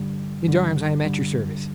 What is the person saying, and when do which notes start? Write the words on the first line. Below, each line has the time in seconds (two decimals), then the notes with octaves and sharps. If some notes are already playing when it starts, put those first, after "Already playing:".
Gendarmes, I am at your service.
Already playing: G2 D3 G3
0.47 G2 D3 G3
1.05 G2 D3 G3